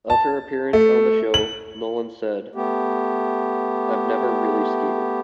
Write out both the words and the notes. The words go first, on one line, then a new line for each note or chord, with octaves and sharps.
Of her appearance on the show Nolan said, I've never really skated.
A5
A3
F#7
A3 B3 G4